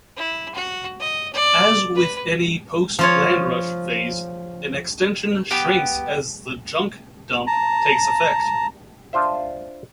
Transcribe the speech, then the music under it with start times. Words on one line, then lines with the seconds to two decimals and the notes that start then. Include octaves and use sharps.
As with any post-landrush phase, an extension shrinks as the "Junk Dump" takes effect.
0.17 E4
0.55 F#4
1.00 D#5
1.33 D5
1.95 B4
2.99 F3 F4 C#5
5.51 B3 G4
7.47 A5 A#5
9.13 D4 F4 C5 E5